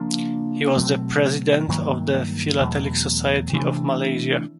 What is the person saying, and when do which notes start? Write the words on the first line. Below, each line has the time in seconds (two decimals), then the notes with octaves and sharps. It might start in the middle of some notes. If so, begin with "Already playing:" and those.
He was the president of the Philatelic Society of Malaysia.
Already playing: C#3 F3 A#3 D4
0.76 B2 F#3 A3 C4
1.68 G2 D#3 F#3 A#3
2.61 E2 B2 F#3 A3
3.53 C3 E3 A3 D4